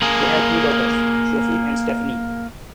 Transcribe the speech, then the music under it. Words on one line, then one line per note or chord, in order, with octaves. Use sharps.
They have two daughters, Sophie and Stephanie.
A#3 G#4